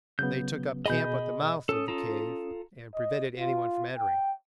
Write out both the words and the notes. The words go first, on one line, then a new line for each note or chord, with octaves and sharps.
They took up camp at the mouth of the cave and prevented everyone from entering.
C#3 F#3 B3 G6
B2 G#4 D#5 B5 G6
C#4 A4 D#6
F4 A4 A#5
D#5
F4
G5